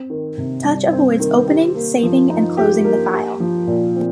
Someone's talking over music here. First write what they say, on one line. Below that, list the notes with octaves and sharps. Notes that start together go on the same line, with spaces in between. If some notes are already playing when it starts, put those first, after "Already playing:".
Touch avoids opening, saving, and closing the file.
Already playing: C4
D#3
C3
G3
C4
D#3
G4
A#3
F3
D#4
G4
A#3
G4
F3
A#2
C4